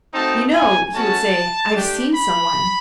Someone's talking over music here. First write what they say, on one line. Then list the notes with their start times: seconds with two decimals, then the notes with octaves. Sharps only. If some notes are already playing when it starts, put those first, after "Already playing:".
"You know," he would say, "I've seen someone."
0.13 A3 C4 D#4 F#4 A5
0.54 G#5
0.93 A3 C#4 F#4 A5
1.74 A3 D4 G4
2.13 B5